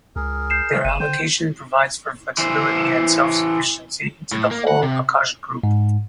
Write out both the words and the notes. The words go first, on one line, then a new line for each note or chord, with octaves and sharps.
Their allocation provides for flexibility and self-sufficiency to the whole Akash Group.
C#2 G#4 A#4
G6 C7 E7
F#1 D#7 E7
D3 C5 G5
E3 C5
A2
A#3
F#5
C3
G#2